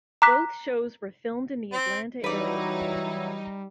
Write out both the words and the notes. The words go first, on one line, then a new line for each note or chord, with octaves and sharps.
Both shows were filmed in the Atlanta area.
A#5 D6 F#6 B6
C4
E3 F#3 G3 D#4 E4 B4 D5